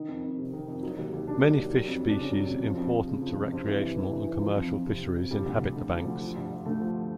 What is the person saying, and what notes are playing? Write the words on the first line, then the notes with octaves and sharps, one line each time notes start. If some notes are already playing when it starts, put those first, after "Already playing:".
Many fish species important to recreational and commercial fisheries inhabit the banks.
Already playing: D#3 D#4
F2
F2
C3
D#3
F2
F#3 D#4
D#2
D#2
D#3 D4
F#3 D#4
D4
D#2
F#3
F2
F2
D4
C#3 C#4
F#3
F2
F3
F2
F2
C#3
F3
F2
G2 C4
E3
G2
E3
G2
E3
F3
F2
F2
C3
F3
F2
F3 G3
D2
D2
D3
F3
D2
F3
G2
G2
D3 A3
F3